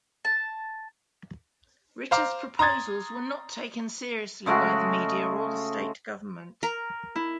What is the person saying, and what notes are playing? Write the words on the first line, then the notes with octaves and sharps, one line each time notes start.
Ritter’s proposals were not taken seriously by the media or the state government.
A5
C5 F5 A#5 D6
A#5 C6 D#6 G#6 A6
C#3 G#3 A3 F#4
A#4
E4